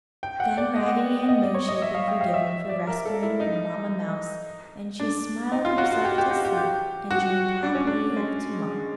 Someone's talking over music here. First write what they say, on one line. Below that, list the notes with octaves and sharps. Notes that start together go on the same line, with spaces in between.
Then Raggedy Ann knew she had been forgiven for rescuing the Mamma mouse and she smiled herself to sleep and dreamed happily of tomorrow.
G5
F#5
D5
D#5
D#5
D5
C#5
D#5
E5
F5
G5
F5
E5
D5
A#4
A4
E4
D#4
D4
D#4
F4
F#4
F#4
G4
G4
G4
G4
G4
F#4
D4
C#4
D4
G#3